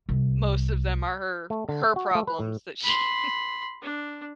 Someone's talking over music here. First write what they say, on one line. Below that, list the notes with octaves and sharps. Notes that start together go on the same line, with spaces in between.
most of them are her her problems that she
C2
A3
D3
E5
F#4
A3
B4
A2
B5 C6
D4